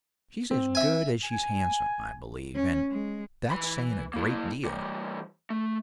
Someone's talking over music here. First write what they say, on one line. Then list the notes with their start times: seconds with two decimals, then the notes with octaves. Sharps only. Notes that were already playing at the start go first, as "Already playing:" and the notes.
She's as good as she's handsome, I believe, and that's saying a great deal.'
0.51 C4
0.75 E5 G#5
1.23 G#5
2.55 C#4
2.91 G#3
3.51 E3 B5
4.14 A#3 E4
4.65 E3 G3
5.50 A3